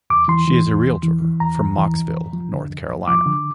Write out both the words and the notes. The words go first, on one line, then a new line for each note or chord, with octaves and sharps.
She is a realtor from Mocksville, North Carolina.
E2 D6
E3 C6
E3
E2
E2
E3
E3
E2 A#5
E2
E3
F2
F2
F3
D3
F2
F2
F3 D6
D3